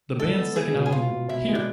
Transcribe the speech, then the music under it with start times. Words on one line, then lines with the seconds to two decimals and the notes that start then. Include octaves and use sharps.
The band's second album, Hear!
0.19 G#3 A4
0.38 B3
0.55 B3 G#4
0.74 B2
0.86 G#4
0.92 B2 F4
1.11 B2
1.29 B2 E4
1.48 G#3
1.55 D4